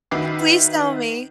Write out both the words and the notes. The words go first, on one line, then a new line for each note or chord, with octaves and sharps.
Please tell me.
D#3 F#4 B4 E5 D6 C7